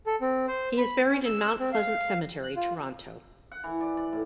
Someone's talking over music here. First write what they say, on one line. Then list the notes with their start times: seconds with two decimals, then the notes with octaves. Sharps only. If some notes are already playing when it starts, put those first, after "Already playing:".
He is buried in Mount Pleasant Cemetery, Toronto.
0.06 A4
0.21 C4
0.48 C5
0.78 B5
1.09 C#4
1.26 E6
1.59 C4
1.73 F5
2.43 F#6
2.56 F4
3.52 F#5
3.64 E3
3.81 D5
3.97 D5
4.12 A2